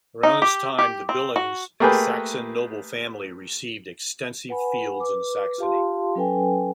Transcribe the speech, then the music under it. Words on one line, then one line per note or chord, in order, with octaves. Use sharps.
Around this time, the Billungs, a Saxon noble family, received extensive fields in Saxony.
D#4
G4
G4
C4
F#4
A3 A#3 G4 G#4 B4
B4 F#5 G#5 B5
B4 D6
F4 G4 F5 A5 C6
F#3 C#4 A4 B4 G5 G#5